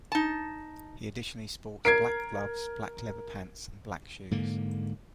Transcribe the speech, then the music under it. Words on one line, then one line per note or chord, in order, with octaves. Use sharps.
He additionally sports black gloves, black leather pants and black shoes.
D#4 A5
A#4 G#6 C7 D7
G#2 D3 A#3